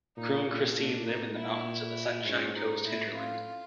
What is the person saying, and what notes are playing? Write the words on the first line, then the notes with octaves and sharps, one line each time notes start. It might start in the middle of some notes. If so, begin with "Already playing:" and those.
Crew and Christine live in the mountains of the Sunshine Coast Hinterland.
A#2 D#4
A#2 C#4
A#2 D4
A2 D#4
A#2 E4
G#2 C#4
D#4
A2 E4
F4